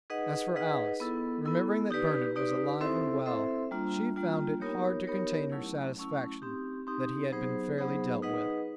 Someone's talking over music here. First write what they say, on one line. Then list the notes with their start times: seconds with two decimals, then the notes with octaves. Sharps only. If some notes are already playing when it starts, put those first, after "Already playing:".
As for Alice, remembering that Bernard was alive and well, she found it hard to contain her satisfaction that he had been fairly dealt with.
0.10 D#4 G#4 B4 D#5 F#5
0.56 D#4 G#4 B4 D#5 F#5
1.00 B3 E4 A4
1.45 B3 E4 A4
1.91 D#4 G4 B4 D5
2.36 D#4 G4 B4 D5
2.81 C4 E4 A4 C5 E5
3.26 C4 E4 A4 C5 E5
3.71 G3 A#3 D4 F4
4.16 G3 A#3 D4 F4
4.61 B3 D#4 G4 A#4 C#5
5.07 B3 D#4 G4 A#4 C#5
5.52 F#3 A3 C#4 E4
5.97 F#3 A3 C#4 E4
6.42 C4 D#4 G4
6.87 C4 D#4 G4
7.32 F#3 B3 D#4 G#4 C5
7.78 F#3 B3 D#4 G#4 C5
8.22 D#4 G#4 B4 D#5 F#5